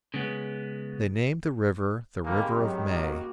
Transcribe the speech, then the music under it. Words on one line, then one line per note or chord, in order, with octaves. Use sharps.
They named the river the River of May.
C#3 G#3 B3
C3 D#3 G3 G#3 A#3
G#2 D#3 F#3 C#4
A#3 F#4